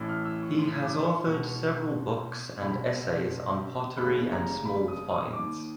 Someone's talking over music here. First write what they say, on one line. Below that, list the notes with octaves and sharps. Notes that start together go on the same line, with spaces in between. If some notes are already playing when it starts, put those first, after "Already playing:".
He has authored several books and essays on pottery and small finds.
Already playing: A1 A2 E3
F6
E6
C#6
C6
D6
C#6
C#2 B2 C#6
C#2 B2 B5
F1 D#2 C#3 B5
A#5
B5
D#6
D#6
D#2 D#3 D6